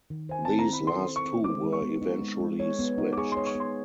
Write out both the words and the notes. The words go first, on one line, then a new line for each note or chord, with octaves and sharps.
These last two were eventually switched.
D#3
C5 G#5
C4 A5
A#5
E4
B5
A4 C6
C5
C#6
C4
G#3 D6
G#3
C#6
B3
D#4
G#3
G#3
C#5
B3
D#4
D6
G#4 C#6
C6
C#5
C#6
B3 C6